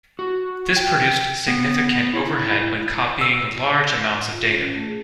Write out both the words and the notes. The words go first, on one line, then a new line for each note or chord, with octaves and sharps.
This produced significant overhead when copying large amounts of data.
F#4
G5
B3
E4
E6
F4
C#4
A3
G#4